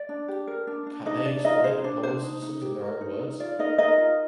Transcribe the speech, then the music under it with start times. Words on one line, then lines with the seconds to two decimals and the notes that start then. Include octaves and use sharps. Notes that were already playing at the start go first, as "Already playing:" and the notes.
Can they explain the polar system in their own words?
Already playing: D5
0.09 D4
0.28 G4
0.47 A#4
0.67 D4
0.86 D4
1.05 D4 D#4 D#5
1.25 D4 D5
1.45 D#4 F4 D#5
1.64 G#4 C5
1.84 D4 C5
2.03 D4 C5
2.22 D#4
2.42 D#4
2.62 G4
2.81 A#4
3.01 D#4
3.20 D#4
3.40 F4 D5
3.59 D#4 A#4 D#5
3.78 D#4 A#4 D#5
3.98 F4